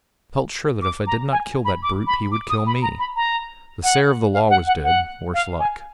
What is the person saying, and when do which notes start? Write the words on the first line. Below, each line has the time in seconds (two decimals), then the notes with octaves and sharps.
I felt sure that if I did not kill that brute, he would kill me. The Sayer of the Law was dead: worse luck.
0.82 D6
1.07 A#5
1.32 G#5
1.65 B5
1.83 D6
2.07 B5
2.32 D6
2.49 D#6
2.67 B5
2.82 A#5
2.99 B5
3.16 A#5
3.83 F#5
4.34 F5
4.50 F#5
4.67 F#5
4.84 F#5
5.34 F5
5.59 G#5